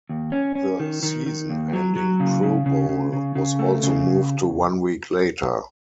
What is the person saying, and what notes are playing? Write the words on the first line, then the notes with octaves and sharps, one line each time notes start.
The season-ending Pro Bowl was also moved to one week later.
D#2
C#4
C#4
D#3
D#3
D#3
D#2
F#3
F#3
C#3
C#3
C#3
C#3
C#3
C#3
A3
C#3